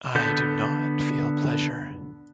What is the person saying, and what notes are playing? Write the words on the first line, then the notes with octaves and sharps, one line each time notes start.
I do not feel pleasure.
D3 B3 A4 G6